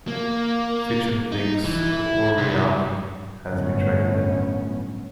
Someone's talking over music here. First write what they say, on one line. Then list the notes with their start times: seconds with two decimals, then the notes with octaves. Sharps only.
Fincham thinks Oriani has betrayed them.
0.08 A#3
1.32 D#4
1.65 E3
1.92 E4
2.37 C2
3.50 G1 F#2 A2 A3 B3 C#4